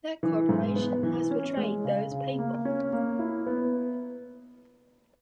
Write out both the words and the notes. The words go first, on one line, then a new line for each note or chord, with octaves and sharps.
That corporation has betrayed those people.
E3
G#2
B3
E3
C#4
G#3
C#3
C#3
A#3
C#4
A#3
E4
B3